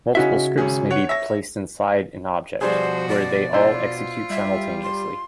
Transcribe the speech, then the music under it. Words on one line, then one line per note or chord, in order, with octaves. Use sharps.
Multiple scripts may be placed inside an object, where they all execute simultaneously.
C#3 C#4 D#4 E4 F#4 E5
G#1 C#4 G#4
C#5 F#5 C#7
C#5 E5 A#6
B2 F3 G3 D4 F#4 G#4 C5
D5
D4 E4 F4 C5
G3 E5
C6